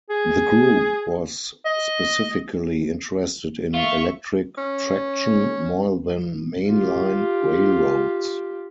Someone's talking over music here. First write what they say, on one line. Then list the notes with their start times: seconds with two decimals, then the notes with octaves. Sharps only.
The group was specifically interested in electric traction, more than main line railroads.
0.10 G#4
1.66 D#5
3.74 F4 E5 C#6
4.58 C#4
6.68 F4 G4